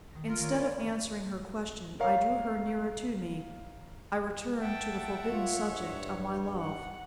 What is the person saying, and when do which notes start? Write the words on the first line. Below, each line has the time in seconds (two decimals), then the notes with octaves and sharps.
Instead of answering her question, I drew her nearer to me--I returned to the forbidden subject of my love.
0.11 D#3 A#6
0.27 F4 A#4
0.39 D#3 A3 C#5
0.51 C#5 D5 B5
0.71 E2
2.00 A#4 C#5 F5
4.61 E5 F#5 G5 A5
5.31 F4 C#5
5.67 G2
6.58 F#5